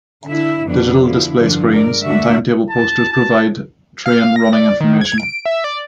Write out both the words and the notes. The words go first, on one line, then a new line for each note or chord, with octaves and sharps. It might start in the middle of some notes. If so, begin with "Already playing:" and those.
Digital display screens and timetable posters provide train running information.
D3 E4 E5
F2 D3 B3 D4
D3 F3 E4
G2 D3 F3
G3 G#3 A#4 D5
D2 D4 F#4 E5
A5
A5
F5
A#6
D5
D#3
G#6
D7
E5
D5